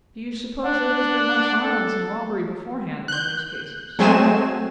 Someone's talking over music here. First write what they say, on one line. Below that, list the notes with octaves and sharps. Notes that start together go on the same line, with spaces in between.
'Do you suppose there has been much violence and robbery, beforehand, among these cases?'
D4 F#5
A4
F#6 G6
F#3 G#3 A3 C4 G#5 E7